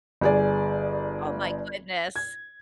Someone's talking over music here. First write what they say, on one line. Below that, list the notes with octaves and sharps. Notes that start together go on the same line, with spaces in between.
Oh my goodness.
G1 G#4 D5
G#6